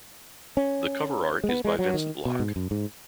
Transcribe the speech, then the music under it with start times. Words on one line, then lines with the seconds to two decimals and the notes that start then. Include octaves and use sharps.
The cover art is by Vincent Locke.
0.57 C#4
1.44 G#3
1.49 B3
1.65 G#3
1.79 F#3
1.94 D#3
2.25 B2
2.39 G#2
2.56 F#2
2.71 G#2